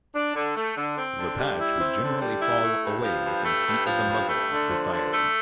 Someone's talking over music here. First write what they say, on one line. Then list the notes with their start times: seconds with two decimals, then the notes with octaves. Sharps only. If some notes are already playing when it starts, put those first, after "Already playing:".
The patch would generally fall away within feet of the muzzle after firing.
0.14 D4
0.35 D3
0.55 A3
0.76 D3
0.96 C4
1.17 D3
1.38 G3
1.59 E4
1.79 C4
2.00 D3
2.21 G3
2.41 E4
2.63 A3
2.83 G2
3.04 F3
3.24 G2
3.45 A3
3.65 G2
3.86 F3
4.07 G2
4.28 A3
4.49 D3
4.69 F3
4.90 D3
5.11 A3